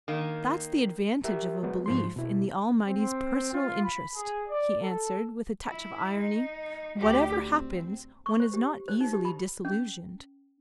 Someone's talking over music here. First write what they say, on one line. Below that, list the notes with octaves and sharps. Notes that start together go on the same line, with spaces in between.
"That's the advantage of a belief in the Almighty's personal interest," he answered, with a touch of irony: "whatever happens, one is not easily disillusioned."
D#3 A#3
G4 A#4 E5
F#3 G#3 B3
G#2 F3 C6
B2 E4
C4
F4
B5
G#4
D5
A4
E4
D#4
D2 G4
C4
C#6
C5
G4
C5
D#4
G4
B5
C#4